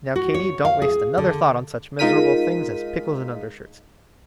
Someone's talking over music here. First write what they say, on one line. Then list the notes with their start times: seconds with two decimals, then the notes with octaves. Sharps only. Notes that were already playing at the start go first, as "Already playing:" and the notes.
Now, Katy, don't waste another thought on such miserable things as pickles and undershirts.
0.16 F#4
0.34 C#5
0.65 F5
0.82 G#4
1.18 D3
1.99 G#3 D#4 F4 A#4 B6 D#7